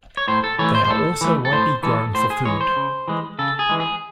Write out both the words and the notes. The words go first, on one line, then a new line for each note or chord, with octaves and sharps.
They are also widely grown for food.
C#5
A2 C5
A4
E3 A3 C#5
C5
C5
A2 A4
E3 A3
A4
A2 C5
E3 G#3 A4
A2 C5
G#4
E3 G#3 C#5
C5
C#3
E3 G#3
C#3 A4
G#4
E3 G#3
G#4